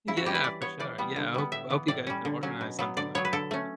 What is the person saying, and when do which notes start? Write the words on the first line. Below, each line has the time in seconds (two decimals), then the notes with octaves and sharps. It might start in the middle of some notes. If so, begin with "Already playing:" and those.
Yeah. For sure. Yeah. I hope I hope you guys can organize something like that because
0.08 C#3 E4
0.17 F#4
0.25 G3 C#4 G4
0.35 B4
0.44 E3 D5
0.62 B3 C#5
0.80 E3 D5
0.98 G3 B3
1.16 D3
1.35 G3 B3
1.52 A2 E5
1.70 E3 B3
1.88 A2 D5
2.07 G3 C#4
2.25 D3
2.43 F#3 C#4
2.61 B2
2.79 F#3 B3
2.97 D3 D5
3.15 F#3 B3 C#5
3.25 B4
3.33 D3 A4
3.51 A3 C#4